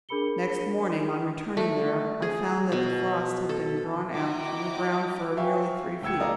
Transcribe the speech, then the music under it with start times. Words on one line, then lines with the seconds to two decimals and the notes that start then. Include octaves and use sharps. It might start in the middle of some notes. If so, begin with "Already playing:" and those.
Next morning, on returning there, I found that the frost had been drawn out from the ground for nearly three feet.
0.09 D4 G#4 A#4 B5 C#7 G7
1.57 A3
2.22 G#4
2.72 B2
3.49 A4
4.13 E4 F#4 D#5 G5 A#5 D6
5.37 B4 E5 F5 G5 G#5 C#6
6.02 D2 G5 E6 G#6 C#7
6.20 A4 D5 D#5 F5 A#5